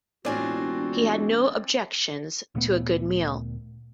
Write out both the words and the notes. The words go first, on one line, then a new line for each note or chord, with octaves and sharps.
He had no objections to a good meal.
E1 A2 C4 D4 F4 F#4 D5 G#5
D2 A#2 A3 B3